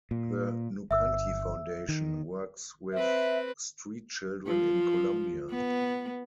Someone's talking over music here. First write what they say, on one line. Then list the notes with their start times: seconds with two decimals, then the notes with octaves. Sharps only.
The Nukanti Foundation works with street children in Colombia.
0.11 A#2
0.91 G1 E5 E6
1.89 D#3
2.93 C4 B4 E5
4.47 F3
5.50 B3